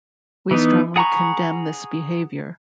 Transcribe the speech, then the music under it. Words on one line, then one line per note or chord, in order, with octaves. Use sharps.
We strongly condemn this behaviour.
E3 B3 D#4
G#4 F#5 A#5 B5 C#6